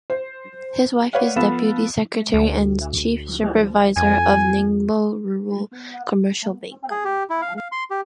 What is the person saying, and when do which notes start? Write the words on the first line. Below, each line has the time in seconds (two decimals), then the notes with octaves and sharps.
His wife is deputy secretary and chief supervisor of Ningbo Rural Commercial Bank.
0.10 C5
1.13 B4 C#5 D5 F5 F#5
1.36 F3 B3 A4 F5 B5 E7
2.34 D2
3.97 F2 G#5
6.91 G#4
7.05 G4
7.30 E4
7.42 F5
7.57 F5
7.72 C6
7.90 G4